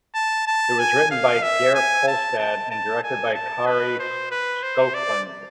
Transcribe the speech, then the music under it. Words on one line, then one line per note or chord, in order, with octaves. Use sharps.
It was written by Derek Kolstad and directed by Kari Skogland.
A5
A5
G#5
F5
E5
G#5
A5
A5
A5
G#5
A5
B4
C5
B4
C5
D5